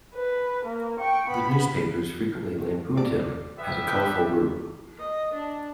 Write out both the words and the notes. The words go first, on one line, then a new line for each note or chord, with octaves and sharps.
The newspapers frequently lampooned him as a colorful rube.
B4
A#3
G5 C#6
B3 B5
D5
G3 B3 E5
G4
D#5
D4